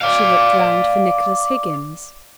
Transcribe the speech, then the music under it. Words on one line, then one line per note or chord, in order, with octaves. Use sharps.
She looked round for Nicholas Higgins.
D5 F5